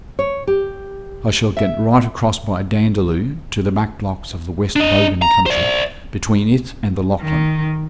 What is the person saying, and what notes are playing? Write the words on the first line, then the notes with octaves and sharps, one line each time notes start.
I shall get right across by Dandaloo to the back blocks of the West Bogan country, between it and the Lachlan.
C#5
G4
E5
D4 D#5
A#5
C5 D5
D#3